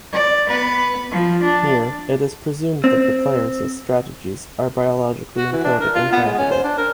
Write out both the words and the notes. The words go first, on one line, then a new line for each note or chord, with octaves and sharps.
Here, it is presumed that the players' strategies are biologically encoded and heritable.
D5
B3 B4
F3
D4
C4
F#4
E3
D4
A#4
F4
B3
G#3
C#4
C5
D4
A#4